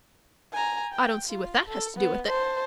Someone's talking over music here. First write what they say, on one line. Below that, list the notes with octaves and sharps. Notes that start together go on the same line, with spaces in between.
I don't see what that has to do with it.
G#5 A#5
G5
F4
A4
B3
C5 A5